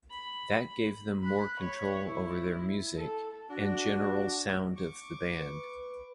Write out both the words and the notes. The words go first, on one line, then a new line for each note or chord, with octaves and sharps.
That gave them more control over their music and general sound of the band.
B5
B5 F#6
C#5 B5
E4
A4
D4 F#4
C#6 D6
B4